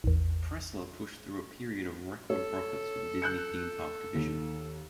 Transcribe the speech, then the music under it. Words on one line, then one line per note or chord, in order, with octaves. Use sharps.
Pressler pushed through a period of record profits for the Disney theme park division.
A1 E2
A4 C#5
F#6 G6 C#7
D#2